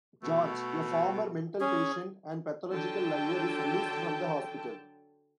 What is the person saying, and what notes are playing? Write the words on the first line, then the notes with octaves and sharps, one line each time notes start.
George, a former mental patient and pathological liar, is released from the hospital.
B2 A3
C#4 G#4
D3 F#3 G5 A5